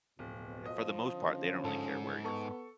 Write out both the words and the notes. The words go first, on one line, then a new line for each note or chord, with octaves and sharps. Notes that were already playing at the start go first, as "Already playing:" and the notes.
for the most part, they don't really care where you're from.
D1 F2 B2
F3 D#5
D3 C#4
G#2 A4
B3 A4 C#6